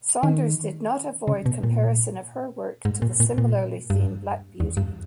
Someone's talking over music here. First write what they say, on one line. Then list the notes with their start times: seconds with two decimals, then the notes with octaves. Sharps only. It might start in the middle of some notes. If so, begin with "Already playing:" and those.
Saunders did not avoid comparison of her work to the similarly themed Black Beauty.
0.23 D#3
1.27 C#3
1.46 B2
1.63 A#2
2.85 G#2
3.02 A#2
3.20 A#2
3.38 A#2
3.90 G2
4.60 E2
4.77 G2